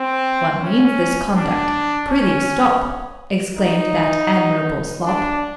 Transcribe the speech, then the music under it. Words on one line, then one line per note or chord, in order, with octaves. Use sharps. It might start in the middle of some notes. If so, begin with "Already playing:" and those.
'What means this conduct? Prithee stop!' exclaimed that admirable slop.
Already playing: C4
C#4
D4
C#4
D#4
D4